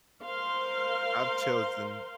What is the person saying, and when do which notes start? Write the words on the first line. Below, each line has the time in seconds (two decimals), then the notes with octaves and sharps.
I've chosen
0.24 A#4 C5 F5 C6